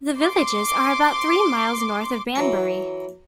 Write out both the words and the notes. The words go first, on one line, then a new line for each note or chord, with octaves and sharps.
The villages are about three miles north of Banbury.
C6 D6
E3 F#3 A#5